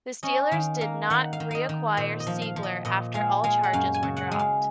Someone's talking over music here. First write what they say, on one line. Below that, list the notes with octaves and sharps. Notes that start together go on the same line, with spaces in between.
The Steelers did not reacquire Seigler after all charges were dropped.
C#4 D#5
D#3 F5
A#3 F5
D#3 F#5
F5
D#3
D#5 F5
D#3
A#2 C5
D#5
F3
F5
F3
D#5
A#2 D#5
G#3 F5
G#3 F5
F#5
F#2 F5
G#5
C#3
F#5
G#3
F5